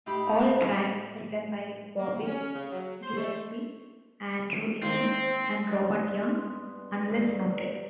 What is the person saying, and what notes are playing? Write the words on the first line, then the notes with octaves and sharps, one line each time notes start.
All tracks written by Bobby Gillespie, Andrew Innes and Robert Young, unless noted.
A2 D#4 G4 B5
A#3
F3
C#4
C#3
F#3
C5
A3
D#3 A#3 C4 C5
G2 G#3 B3
G2